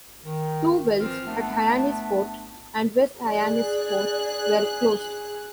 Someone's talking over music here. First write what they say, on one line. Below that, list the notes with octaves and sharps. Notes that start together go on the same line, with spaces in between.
Two wells, at Hyannisport and West Hyannisport, were closed.
D#3
E3 F3 C4 F4 A#4 F6
A3 B3 D4
G#4 D5 F#6